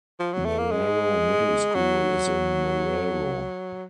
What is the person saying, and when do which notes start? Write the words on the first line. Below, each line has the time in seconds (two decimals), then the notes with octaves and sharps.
Marrero Middle School is in Marrero.
0.19 F3
0.33 F#3
0.45 A3
0.58 A#3
0.71 G#3
1.74 F#3